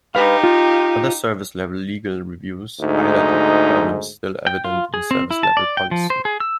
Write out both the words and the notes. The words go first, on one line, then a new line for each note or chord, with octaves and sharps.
Other service-level legal reviews highlighted the problems still evident in service-level policy.
D#4 G4 B4 F5
F4
D2 G#2 D#4
G5
F4
G#4
C4
E4
A5
D5
G5
F3
C5
G#4
E6